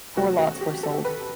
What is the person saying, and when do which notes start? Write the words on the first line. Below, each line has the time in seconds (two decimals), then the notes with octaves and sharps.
Four lots were sold.
0.16 E2 C3 F#3 A3 F#4
0.39 F#4
0.61 G4
0.83 A4
1.05 B4